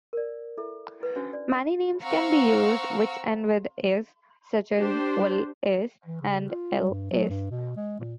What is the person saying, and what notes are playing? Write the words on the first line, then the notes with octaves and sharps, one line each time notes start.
Many names can be used which end with "is", such as "will.is" and "ell.is".
A#4 D5
E4 A4 E5
E4 B4
C#4 D4 F#4 C5
D5
C4 F5 F#5 A#5 C#6 E6
D4 G4 C5
E3
C#3
F4
G3
G2
F#3
G2
B2
G#3
A#2